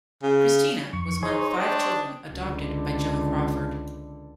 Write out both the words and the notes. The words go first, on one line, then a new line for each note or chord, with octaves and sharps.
Christina was one of five children adopted by Joan Crawford.
C#3
F2 C#6
D#4 G#4 C5 C#5
D4 D#5 G5
C#2 D3